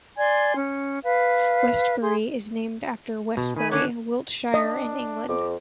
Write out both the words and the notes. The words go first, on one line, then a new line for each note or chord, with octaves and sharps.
Westbury is named after Westbury, Wiltshire in England.
D5 G#5 C6 G#6
C#4
B4 F5
G#4 C6
B2
D#3 G#5 B5
D3 C#4 D4 C#5 D6
D4 D#5
F2 D6